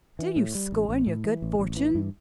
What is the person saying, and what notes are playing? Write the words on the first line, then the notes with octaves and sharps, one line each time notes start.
Do you scorn your good fortune?
E3
A2
G3
A1
A1
A2
E3
A1
A1
E3
G2